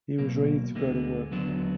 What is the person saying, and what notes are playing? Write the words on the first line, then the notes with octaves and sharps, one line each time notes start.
He was ready to go to work.
B1 B2 A#3
D2 D3 G#3 B3
D#2 D3 F#3 B3 D4